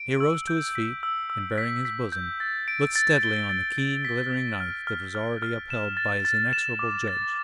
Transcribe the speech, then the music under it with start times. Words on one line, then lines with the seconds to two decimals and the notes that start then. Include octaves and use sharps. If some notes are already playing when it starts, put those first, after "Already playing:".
He arose to his feet, and baring his bosom, looked steadily on the keen, glittering knife, that was already upheld by his inexorable judge.
Already playing: D7
0.20 E6
0.47 G6
0.75 B6
1.03 E6
1.30 E6
1.58 B6
1.85 B6
2.12 G6
2.40 A6
2.68 D7
2.96 A6
3.23 G7
3.49 A6
3.78 D7
4.05 B6
4.33 B6
4.60 F6
4.87 F6
5.15 F6
5.42 F6
5.70 E7
5.97 A6
6.25 A6
6.53 E7
6.79 D6
7.08 A6